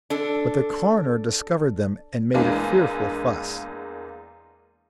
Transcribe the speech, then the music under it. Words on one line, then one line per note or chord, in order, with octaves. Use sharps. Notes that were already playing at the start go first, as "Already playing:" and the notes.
But the coroner discovered them, and made a fearful fuss.
D4 A4
E2 G#3 A#3 D4